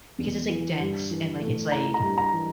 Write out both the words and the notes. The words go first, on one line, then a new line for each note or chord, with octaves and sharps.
Because it's, like, dense and, like it's, like,
E2
E3
G2
E3
A3
E4 A#5
A#5
G2
A#5
E3